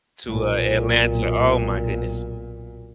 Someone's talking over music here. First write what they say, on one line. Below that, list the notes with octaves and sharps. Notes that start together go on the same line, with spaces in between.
to, uh, Atlanta. Oh, my goodness.
B1 A#2